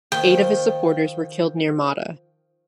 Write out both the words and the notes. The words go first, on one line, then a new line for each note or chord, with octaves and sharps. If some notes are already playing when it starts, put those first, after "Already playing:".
Eight of his supporters were killed near Matta.
D#3 F3 A#3 G5